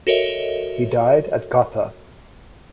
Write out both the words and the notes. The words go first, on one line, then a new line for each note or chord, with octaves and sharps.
He died at Gotha.
F#4 A4 A#4 C#5 D#5 E5